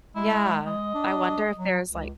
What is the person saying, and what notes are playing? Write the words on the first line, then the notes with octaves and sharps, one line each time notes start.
Yeah. I wonder if there's, like
G#3 E4
G#3 D#5
D4
F#3
C#2